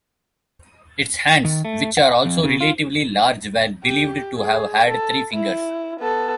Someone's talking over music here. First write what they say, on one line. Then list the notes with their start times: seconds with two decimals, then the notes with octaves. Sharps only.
Its hands, which are also relatively large were believed to have had three fingers.
1.45 D#3
1.65 A3
1.97 F#5
2.25 F2
2.43 C#3
2.61 F4
3.84 G4
4.37 G#4
4.85 A4
5.34 E4
6.00 B3 A4